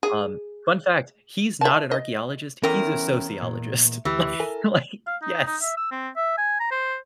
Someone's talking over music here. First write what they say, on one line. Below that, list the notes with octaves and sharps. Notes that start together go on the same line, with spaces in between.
Um, fun fact, he's not an archaeologist, he's a sociologist, like like yes.
G#4
E5 A5
D#5
E2 C#4 A#4 G5
A#2
D2 E3 G4
A4 A#4 G#5
F5
D#4
D#4
E5
E6
C4
E5
G#5
A#5
C5